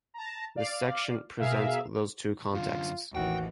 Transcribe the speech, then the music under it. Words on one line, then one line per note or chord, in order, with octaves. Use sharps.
This section presents those two contexts.
A5 A#5
D5 F5
B2 G#4 A#4 E5 F5
F#2 D3 F4
A1 D#2 E3 F#4 G5